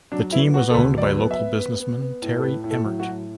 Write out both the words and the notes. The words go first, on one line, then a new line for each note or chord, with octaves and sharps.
The team was owned by local businessman Terry Emmert.
F#3 D4
B3 E4
B3 F#4
A4
D2 B4
F#3 D5
B4
B3
E5
B3
B3
B3
B3
A2
A4
A2 B4
A2
A4
F#3
F#4
A2